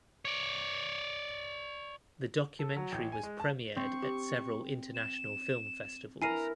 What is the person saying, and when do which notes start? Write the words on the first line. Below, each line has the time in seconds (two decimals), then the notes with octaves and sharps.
The documentary was premiered at several international film festivals.
0.25 C#5 D5
2.59 A4
2.76 F#3
2.92 A1
3.12 G#5
3.23 G#3
3.40 A5
3.76 C4 C#6
4.02 G4
4.95 E7
6.22 E4 A#4 G#5 A#5 C7 D#7